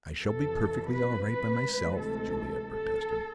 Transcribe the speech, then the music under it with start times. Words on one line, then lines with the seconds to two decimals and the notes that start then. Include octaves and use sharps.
"I shall be perfectly all right by myself," Juliet protested.
0.18 F2 C3 E3 A4
0.90 B4
1.26 B4
1.62 D2 C3 E3 G#3
1.98 A4
2.70 A4